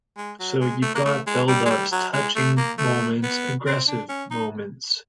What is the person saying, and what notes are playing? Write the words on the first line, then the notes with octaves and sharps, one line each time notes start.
So you've got buildups, touching moments, aggressive moments.
G#3
F#3
G#3
A3
A#3
A3
G#3
G3
G#3
G3
F#3
G#3
A3
A#3
A3
B3
C4
D4
C#4
D#4